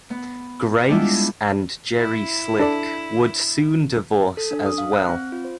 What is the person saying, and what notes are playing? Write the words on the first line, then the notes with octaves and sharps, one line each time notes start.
Grace and Jerry Slick would soon divorce as well.
B3
G3 G#3 B3 D4 E4 F4
E4
D4 A4 D5
A4
D4
D#6
F5
F#6
C4
F4
C5